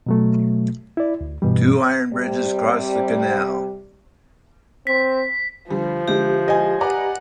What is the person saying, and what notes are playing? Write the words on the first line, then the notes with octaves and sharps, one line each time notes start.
Two iron bridges cross the canal.
B2 F#3 A3
E4 D5
D2
G2 B2 E3 G3
C3 G3
C4 B6
D3 F3 G3
D3 G#3 E4 G4
D#5 G#5
B4 D5 F#5 A#5